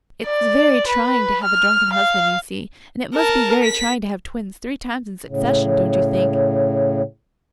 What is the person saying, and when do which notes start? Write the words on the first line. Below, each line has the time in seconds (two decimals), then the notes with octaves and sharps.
It's very trying to have a drunken husband, you see; and it must be very trying to have twins three times in succession, don't you think?
0.25 D5
0.88 B4
1.44 F6
1.93 F5
3.15 A#4 A5
3.64 B6
5.28 A2 C#3